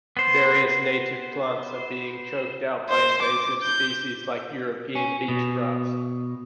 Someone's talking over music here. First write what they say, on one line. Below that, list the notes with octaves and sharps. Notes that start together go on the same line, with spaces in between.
Various native plants are being choked out by invasive species like European beach grass.
B3 C5
C5
D6
G6
C#4
B2